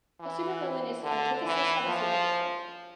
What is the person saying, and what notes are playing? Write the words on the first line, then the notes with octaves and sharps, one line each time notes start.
A supervillain is the antithesis of a superhero.
E3
D3
E3
F3